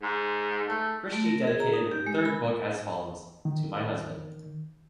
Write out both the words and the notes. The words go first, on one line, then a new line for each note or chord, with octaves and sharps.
Christie dedicated her third book as follows:To My Husband.
G#2
A3
A3
A#4
G#4
A#5
D#4
G4
G#3
B5
D#3